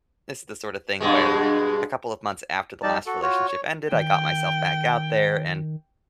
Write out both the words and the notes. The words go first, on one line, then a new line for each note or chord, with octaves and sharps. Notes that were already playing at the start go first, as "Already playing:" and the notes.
this is the sorta thing where a couple of months after the last relationship ended, I got myself back out there and
G2 B2 G#3
G3 D#4 D5 A5
F#4 A4
F4 F#4 C#5
C#5
D#3 G5